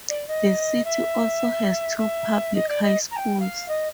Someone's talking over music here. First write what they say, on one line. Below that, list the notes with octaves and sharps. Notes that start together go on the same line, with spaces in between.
The city also has two public high schools.
D5
D#5
E5
E5
D#5
D5
D#5
A#5
G5
F5
D#5